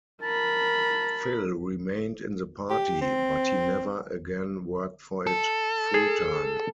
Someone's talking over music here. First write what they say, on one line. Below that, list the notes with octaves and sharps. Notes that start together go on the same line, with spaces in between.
Phil remained in the Party, but he never again worked for it full time.
A#4 A5 B5
G4
C4
A4
G#4